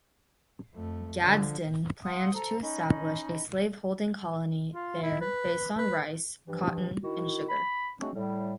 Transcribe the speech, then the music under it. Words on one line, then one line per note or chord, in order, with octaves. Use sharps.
Gadsden planned to establish a slaveholding colony there based on rice, cotton, and sugar.
F2 A3
D3 F3
F5 F#5 C6 D#6
A4 C5 A#5
C#4 D#4 D#5 B5
F4
E4
B4
B4
G2 E3 F3
D#3 E4 F#4
B5
F#3 G#3 A3 C4 D4 F#4
A2 G3